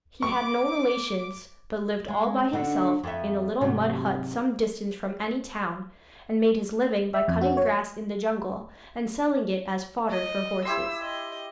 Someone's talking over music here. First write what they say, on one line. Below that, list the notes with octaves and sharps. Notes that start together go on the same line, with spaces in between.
He had no relations, but lived all by himself in a little mud hut some distance from any town, and made his living by cutting grass in the jungle, and selling it as fodder for horses.
C#6 D6 D7
G#3
D3 D4 F#4
F2 E5
G#2 C3 F#3
E5
F2
F#4
C#5
D#5
E4 G4 C6 E6
D#5